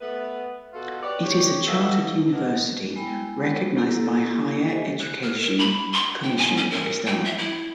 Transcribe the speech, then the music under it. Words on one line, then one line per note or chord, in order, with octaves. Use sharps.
It is a chartered university recognized by Higher Education Commission Pakistan.
A3 B3 B4
B2 F4 F#4 A4
G4 B4 C#5 D5
G4 C#5
D#2 B2 G3 A4 E5 F5
G#3 B3 D4 A#4
G#3 B3 E4 G5 B5
A#3 E4 G4 A4
G4 A4 C5 D#5 E5 G#5
F#6
F6
A#4
B5
C6
G5
G#5
C#4
A#4
G5
E5
E4